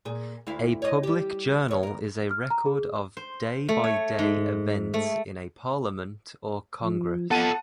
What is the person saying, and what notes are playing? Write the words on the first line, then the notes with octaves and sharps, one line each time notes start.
A public journal is a record of day-by-day events in a parliament or congress.
A#2 G#4
D2 E4 F5
C#5 D#5
G3 G4
D#2 C#5
G2 A#4
F6
A#5
G#4
C5
A3
C#5
G#2
A3
F3
B3 F4 A4 F#5 A5 D#7